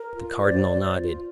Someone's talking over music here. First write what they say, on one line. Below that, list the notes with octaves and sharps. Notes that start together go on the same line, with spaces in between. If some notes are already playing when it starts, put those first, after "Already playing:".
The Cardinal nodded.
Already playing: A#4
F4
C5 D5
C5
F4